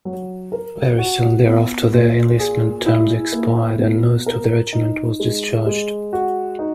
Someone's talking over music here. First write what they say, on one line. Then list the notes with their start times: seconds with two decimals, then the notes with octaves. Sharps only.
Very soon thereafter, their enlistment terms expired, and most of the regiment was discharged.
0.05 F#3
0.52 A#4
0.98 F#4
1.45 B3
1.93 A#2
2.39 G#4
2.86 E4
3.32 A#3
3.79 B2
4.26 A#4
4.73 D#4
5.20 G#3
5.66 G#3
6.13 F#4
6.59 D#4